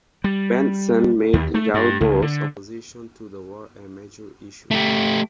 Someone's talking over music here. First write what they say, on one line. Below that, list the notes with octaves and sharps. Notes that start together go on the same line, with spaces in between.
Bentsen made Yarborough's opposition to the war a major issue.
G3
D#2
A3
G2
C#2
D3
A3 G4